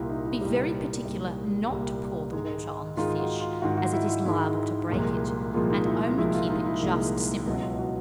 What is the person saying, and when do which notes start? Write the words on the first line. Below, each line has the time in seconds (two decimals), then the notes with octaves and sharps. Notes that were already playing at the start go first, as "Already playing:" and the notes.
Be very particular not to pour the water on the fish, as it is liable to break it, and only keep it just simmering.
Already playing: C2 A#2 G3 E4 F4
0.10 D#4
0.25 E4
0.41 C2 A#2 G3
1.05 C2 A#2 G3
1.70 C2 A#2 G3
2.33 G#2 D#3 G#3
2.97 G#2 D#3 G#3 F4
3.19 F#4
3.40 F4
3.62 G#2 D#3 G#3 F#4
3.77 F#4
3.93 E4
4.09 E4
4.26 G#2 D#3 G#3 E4
4.89 C2 A#2 F3 G#3
5.54 C2 A#2 F3 G#3 F4
5.70 D#4
5.86 E4
6.02 F4
6.18 C2 A#2 F3 G#3 E4
6.34 F4
6.49 D#4
6.66 E4
6.82 C2 A#2 F3 G#3 D#4
7.45 C#2 B2 F#3 E4
7.62 F4
7.79 F#4